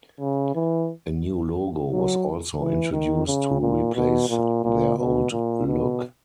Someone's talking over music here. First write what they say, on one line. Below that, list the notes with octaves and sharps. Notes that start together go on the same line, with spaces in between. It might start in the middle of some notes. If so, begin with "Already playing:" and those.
A new logo was also introduced to replace their old look.
C#3
E3
F#3
E3
D#3
C#3
A#2
B2
A#2
A#2
B2
A#2
B2